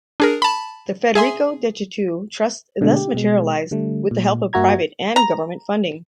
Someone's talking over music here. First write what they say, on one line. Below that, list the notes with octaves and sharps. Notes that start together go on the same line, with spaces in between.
The Federico Degetau Trust thus materialized with the help of private and government funding.
D4 G#4 A#4
A5 B5
G#4 E5 G#5 C6
B2 D3 G#3 A3
G4
B2 G#3
D3 G3 A3
A#2
G2 A#3 F#4 E5 A#5 G#6
A#5